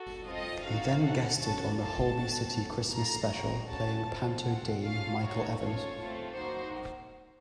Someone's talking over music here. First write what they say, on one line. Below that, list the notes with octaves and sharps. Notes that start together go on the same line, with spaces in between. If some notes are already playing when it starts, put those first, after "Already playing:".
He then guested on the Holby City Christmas Special, playing panto dame Michael Evans.
Already playing: F#4 A4
C4 F4 A4 D#5
C4 D#4 F#4 A4 F5
C#4 A4 F#5
C#4 F#4 A4 A5
A#3 F4 A4 A5
C4 F#4 A4
C#4 A4
A#3 F4 A4 A#5
C4 D#4 F#4
C#4 F#4 A4 A5
C4 F4 A4
C4 F4 A4 F#5
C#4 F4 A4 F5
A3 D#4 F#4 A4 C#5
C#4 F4 A4 C#5
A3 C4 F4 A4
A#3 D#4 F#4 C5